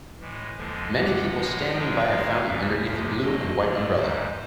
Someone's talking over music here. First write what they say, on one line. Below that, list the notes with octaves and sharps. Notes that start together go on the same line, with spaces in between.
Many people standing by a fountain underneath a blue and white umbrella.
A2 E3 G#3
D#2 D3 F3 G#3
F2 C3 E3 F#5
A2 F3 G#3
G#2 F3 G#3 G5
G#2 D#3 G#3 F5
D#2 C#3 E3 E5
D2 C3 F3 G#3
E2 B2 F#3 D#5
G2 D3 F#3 D5
G#2 E3 G3 C5